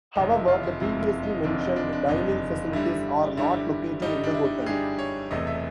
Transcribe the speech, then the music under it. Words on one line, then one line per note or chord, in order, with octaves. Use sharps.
However, the previously mentioned dining facilities are not located in the hotel.
F#1 F2 C3 D#4
E4
F4
E4
F#1 F2 C3 E4
E4
D#4
F#1 F2 C3 D4
D#4
D4
D4
F#1 F2 C3 D#4
G2 D3 G3 E4
G2 D3 G3 E4
G2 D3 G3 D#4
D4
E4
D#4
G4
G2 D3 G3 G#4
C#5
E1 E2 C3 E3 A3 D#5
E5